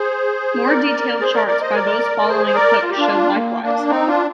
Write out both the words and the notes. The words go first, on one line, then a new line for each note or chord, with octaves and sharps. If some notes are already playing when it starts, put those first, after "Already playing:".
More detailed charts by those following Cook showed likewise.
Already playing: G#4 C5
A#4 D5
G#4 C5
A#4 D5
A#4 D5
C5 D#5
A#4 D5
D5
G#4 C5
C5
A#4 D5
F4
G4
D4 F4
A#3
A#3 D4
C4 D#4
D4 F4